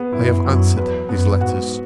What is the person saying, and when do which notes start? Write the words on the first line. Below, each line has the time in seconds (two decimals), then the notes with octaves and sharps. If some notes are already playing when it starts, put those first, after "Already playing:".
I have answered his letters.
Already playing: B3 G#4
0.13 F#2 E4
0.44 F#2 F#3
0.76 E2 B4
1.09 F#2 B3
1.40 G#2 F#4